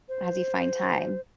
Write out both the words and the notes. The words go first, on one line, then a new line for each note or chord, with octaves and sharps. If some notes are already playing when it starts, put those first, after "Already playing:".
as you find time.
C5